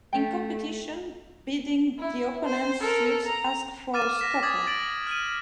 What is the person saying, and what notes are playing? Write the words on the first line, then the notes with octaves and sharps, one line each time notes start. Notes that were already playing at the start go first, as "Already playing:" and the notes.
In competition, bidding the opponent's suit asks for a stopper.
A3 G5
E4
C5
A4 A#4
A#5
D6 F6 A6 D#7 E7
A#6 B6 E7
D6 D#6 G#6 A6
A6 D7 F#7
F6 D#7